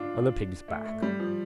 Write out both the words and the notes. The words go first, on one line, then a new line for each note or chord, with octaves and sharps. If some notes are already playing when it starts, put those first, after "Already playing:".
On the pig's back.
Already playing: D4 F4
A3
A3
G3
F3